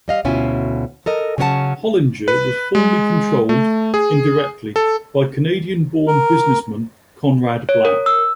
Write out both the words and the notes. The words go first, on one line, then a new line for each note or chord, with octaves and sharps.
Hollinger was formerly controlled, indirectly, by Canadian-born businessman Conrad Black.
G3 D#5 F5
D2 B2 C#4 E4 F4 G#5
A4 A#4 D#5
C#3 F#3 C#4 A#4 F#5 A5
B4
G#3
A3
G#4
A4
A#4
C#5
A#4
E6